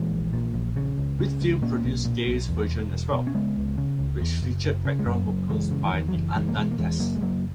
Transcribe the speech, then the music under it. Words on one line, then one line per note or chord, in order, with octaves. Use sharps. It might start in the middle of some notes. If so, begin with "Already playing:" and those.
Whitfield produced Gaye's version as well, which featured background vocals by The Andantes.
Already playing: A#2 E3 G#3
A#1
A#2
A#1
C#3
C#2
C#3
C#2
A#2 A#3 C#4
B1
A#2
B1
E2
E1
E1
B2
C#4
C#3 G#3 B3
C#2
C#3
C#2
E2
F#1
F#1
C#3
G#3
F#2 F#3 A#3
F#1
F#1 E3 G#3
C#3
E3
E2 D#3
F#3
F#1 E3
F#1 E3 G#3
A#3
B2 E3 G#3
A#3
E2 E3 G#3
F#1 F#3 A#3
G#3
F#1 F#3 A#3